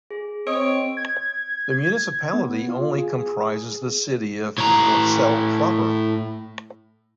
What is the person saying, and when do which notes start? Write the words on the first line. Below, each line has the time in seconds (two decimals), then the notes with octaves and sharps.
The municipality only comprises the city of Mortsel proper.
0.11 G#4
0.47 C4 C#5 D#5 D#6 E6 D7
0.97 G#6
2.33 B3
2.69 F4
2.98 G#4
4.58 A2 A#5